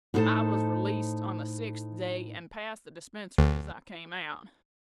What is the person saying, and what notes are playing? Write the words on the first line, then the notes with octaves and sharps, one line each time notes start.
I was released on the sixth day and passed the dispensary as I came out.
A2 D#4 F4 A4 C5 A5
D2